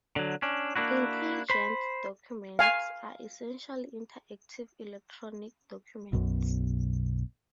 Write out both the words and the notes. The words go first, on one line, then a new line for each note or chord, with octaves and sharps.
Intelligent documents are essentially interactive electronic documents.
D3 F#3
C#4 D4
A#3 D4 E4 F#4
C5 B5
F5 G#5
B1 F#2 B2